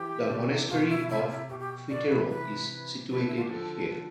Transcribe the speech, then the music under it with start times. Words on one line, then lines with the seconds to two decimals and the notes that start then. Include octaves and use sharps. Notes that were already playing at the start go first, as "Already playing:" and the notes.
The Monastery of Fitero is situated here.
Already playing: E3 G4
0.29 B2 D3
0.49 C3 E3
0.69 B2 D3 F4
0.89 E4
1.09 C3 E4
1.19 F4
1.30 E4
1.49 B2 G4
1.59 G4
1.89 B2 D3 D5
2.10 C3 E3 B4
2.29 B4
3.10 D3 F3 B4
3.27 E4
3.35 F4
3.42 G4
3.50 D3 F3 A4